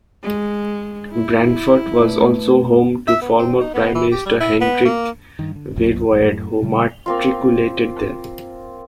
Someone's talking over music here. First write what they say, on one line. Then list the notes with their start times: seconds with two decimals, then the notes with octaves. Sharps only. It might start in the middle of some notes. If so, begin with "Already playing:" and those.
Brandfort was also home to former prime-minister Hendrik Verwoerd, who matriculated there.
0.23 G#3
1.11 E4
2.00 A3 B4
3.08 E5
3.21 B3
3.39 C4
3.61 D#4
3.74 B3
3.95 E3
4.12 G4
4.26 G3
4.40 E4
4.61 B3
4.85 A#3
5.39 G2 D#3
5.56 D3
5.76 F#1 B1 F#2 A#2
6.10 A1 G2
6.24 F#2 A2
6.62 A#2 C#3 G3 A3
7.06 A#3 C4 F4